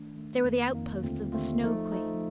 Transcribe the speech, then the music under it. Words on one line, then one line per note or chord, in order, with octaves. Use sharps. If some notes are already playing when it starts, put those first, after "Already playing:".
They were the outposts of the Snow Queen.
Already playing: D#3 A3 D4
D#3 A3 D4
F2 D#3 A#3
F2 D#3 A#3
D#2 D3 A3 C4 F4
D#2 D3 A3 C4 F4
F3 A3 D#4
F3 A3 D#4